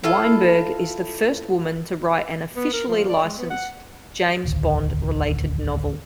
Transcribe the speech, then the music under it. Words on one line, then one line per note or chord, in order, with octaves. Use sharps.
Weinberg is the first woman to write an officially licensed James Bond-related novel.
E4 F4 A4 F5
B3
A#4
F3
D5
G#3
B3
F#5
E1 A1 D2 D#3